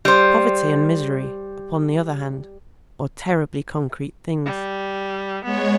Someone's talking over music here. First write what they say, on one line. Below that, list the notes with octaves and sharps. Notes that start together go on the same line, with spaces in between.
Poverty and misery, upon the other hand, are terribly concrete things.
G3 C5
G3
G#3 B3 C#5